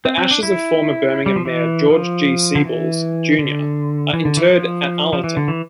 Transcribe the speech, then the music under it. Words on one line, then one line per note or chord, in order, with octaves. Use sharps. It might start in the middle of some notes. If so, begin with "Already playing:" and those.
The ashes of former Birmingham mayor George G. Siebels, Junior are interred at Arlington.
C4
C4
D4
E4
G3
F3
E3
F3
D3
E3
D3
E3
D3
E3
F3
F3
E3
D3
E3